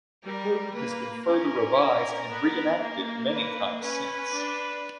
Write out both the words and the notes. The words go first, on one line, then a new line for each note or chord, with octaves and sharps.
The Code has been further revised and reenacted many times since.
G3 A#4
A#3 B4
C#4 A#4
B3
A#3
B4
C#4 B4
D4